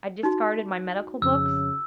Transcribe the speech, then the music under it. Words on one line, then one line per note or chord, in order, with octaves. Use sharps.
I discarded my medical books.
D#4 F#4
F2 C#3 E6